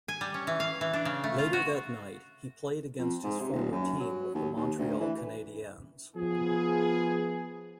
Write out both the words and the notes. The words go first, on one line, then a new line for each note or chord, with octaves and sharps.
Later that night, he played against his former team with the Montreal Canadiens.
G#5
G3
C#4
E3
F5
E3
D4
C#3
A3
F4
F#4
F2
G#2
C3
D#1
F#2
F#3
D#2
D#2
D2
E3
F3 B3 G#4